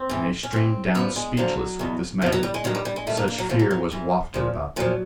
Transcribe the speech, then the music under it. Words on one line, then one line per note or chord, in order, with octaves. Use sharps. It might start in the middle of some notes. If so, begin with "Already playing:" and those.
And they streamed down speechless with dismay; such fear was wafted about them.
Already playing: C4
G#2 E3
C#4
G#2 E3 C4
F#2 D3 F3 B3
G#3
F#2 D3 F3 F#3
E2 B2
E2 B2 F3
F#3
G3
G#3
G2 D#3 F#3
G3
G3
G#3
G2 D#3 A3
A#3
A#3
F#3
G#2 E3 F3
F#3
F#3
G#2 E3
A#2 F3
A#2 F3 F#3